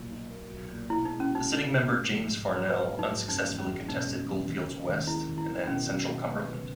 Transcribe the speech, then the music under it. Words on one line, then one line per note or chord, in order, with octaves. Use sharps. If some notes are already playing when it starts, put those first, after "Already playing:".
The sitting member James Farnell unsuccessfully contested Goldfields West and then Central Cumberland.
Already playing: B1 A#2
D#4
A#3
B1
A#2
B2 E4
D#4
G#3
C#4
D#4 F#4
C#4
B2
G#3
A#1
G#2
A#1
F#3 B4
A#1
D#4
G#2
F#1 D#4
E2
C#4
F#1
B2 D#4
F#1
E2
D#2
D#3
D#2
G#3 E4
D#2
E4
D#3
B2 C#4
F#3
B2
B3
B2